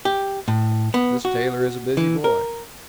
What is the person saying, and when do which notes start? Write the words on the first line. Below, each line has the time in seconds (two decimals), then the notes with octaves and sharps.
This tailor is a busy boy.
0.05 G4
0.48 A2
0.94 B3
1.25 F#4
1.97 E3
2.24 A#4